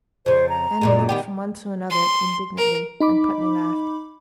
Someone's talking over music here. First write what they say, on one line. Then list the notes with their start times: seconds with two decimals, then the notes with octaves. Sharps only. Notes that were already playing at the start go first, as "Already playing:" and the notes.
Annie looked from one to another indignantly, and Putney laughed.
0.26 F2 C#3 C5
0.49 A#5
0.81 F#2 A#2 G#3
1.09 D#3 B3 G4
1.90 C6
2.57 A#4
3.00 D#4 B5 D6